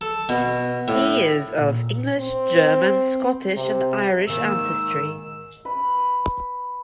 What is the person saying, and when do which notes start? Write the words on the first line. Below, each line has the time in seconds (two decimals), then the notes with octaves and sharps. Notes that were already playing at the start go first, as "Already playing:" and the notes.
He is of English, German, Scottish, and Irish ancestry.
0.01 A4
0.29 B2
0.88 A2
1.56 A#2
2.19 C4
3.57 C3
4.27 G#2 D#3 A#3 E6
5.65 B4 B5